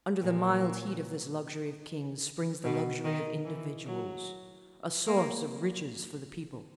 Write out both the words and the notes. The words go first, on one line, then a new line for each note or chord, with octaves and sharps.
Under the mild heat of this luxury of kings springs the luxury of individuals, a source of riches for the people.
A#2
B2
D#3
E3
F#3
A#3